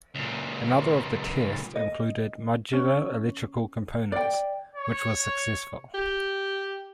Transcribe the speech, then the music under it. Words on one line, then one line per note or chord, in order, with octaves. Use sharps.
Another of the tests included modular electrical components, which was successful.
C#2 A#2
D#5
C#4
D5 G5
C#5
G4